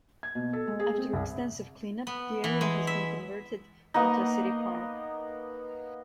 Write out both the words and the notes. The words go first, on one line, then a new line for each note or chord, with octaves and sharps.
After extensive cleanup, the area has been converted into a city park.
G#6
B2
A4
G#3
G#4
C4
C2
B3
E3
G#3
E5
A#3 B3 D#4